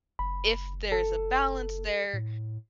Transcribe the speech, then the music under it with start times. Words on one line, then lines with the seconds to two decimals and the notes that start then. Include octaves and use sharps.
if there's a balance there
0.19 F#1 B5
0.92 A4
2.13 A2